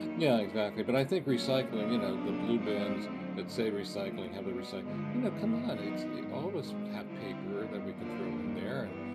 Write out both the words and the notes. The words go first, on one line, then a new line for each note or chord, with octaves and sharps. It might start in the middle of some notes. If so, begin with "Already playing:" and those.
Yeah, exactly, but, I think recycling you know, the blue bins that say recycling, have the recy you know, come on, it's i all of us have paper that we can throw in there and
Already playing: F#2 D#3 G3 A#3 D#4
D#3 G#3 C#4 E4
F2 D3 F3
A#2 F#3 A3 C#4
F2 C#3 F#3 B3 D#4
F2 C#3 F#3 A#3 D4
B2 G#3 C4 D#4
F2 D3 F#3 A3 C4
F#2 D3 F#3 A#3 D#4
A#2 F3 A3
B2 G3 B3
G2 D3 F3 G#3 B3
G2 E3 G#3
D#3 F#3 B3 D#4
G#2 D#3 F#3
B2 G#3 C4
D3 G3 C4 E4
G2 D#3 G3 B3
F#2 D3 F3 A#3 D4
G2 D#3 G3
G2 E3 G3 B3